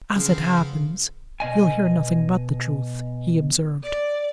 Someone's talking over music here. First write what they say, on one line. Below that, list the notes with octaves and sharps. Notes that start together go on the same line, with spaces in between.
"As it happens, you'll hear nothing but the truth," he observed.
C#3 F3 B3 C4
B2 D#5 G#5
D5